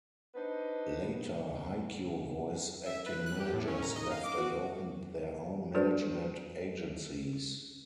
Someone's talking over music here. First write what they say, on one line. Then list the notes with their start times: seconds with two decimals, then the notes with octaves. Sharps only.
Later, Haikyo voice acting managers left and opened their own management agencies.
0.35 D4 D#4 B4 C5
2.86 E5
3.06 B4
3.26 F#6
3.40 G4
3.53 A2
3.68 C#4
3.82 A#5
3.96 D#5
4.11 F5
4.23 D6
4.38 F#4
5.74 D4 F#4 A4 B4 C5 D5